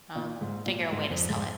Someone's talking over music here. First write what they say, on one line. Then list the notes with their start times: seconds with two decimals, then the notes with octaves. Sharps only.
I'll figure a way to sell it
0.15 A#2
0.41 G#2
0.66 A#2
0.92 G#2
1.10 F2
1.29 G#2